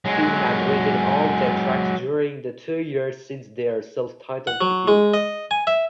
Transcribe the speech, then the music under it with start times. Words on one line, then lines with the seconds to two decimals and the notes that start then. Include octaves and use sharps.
Finn had written all ten tracks during the two years since their self-titled debut.
0.05 F#3 G#3
4.47 F#5
4.61 F#3
4.88 G#3
5.14 D#5
5.51 G#5
5.67 E5